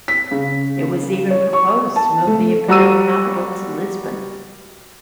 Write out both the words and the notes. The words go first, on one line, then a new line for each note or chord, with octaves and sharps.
It was even proposed to move the Imperial capital to Lisbon.
B6
C#3
C#5
C#6
A5
A3
G3 F#4 A#5 E6 D#7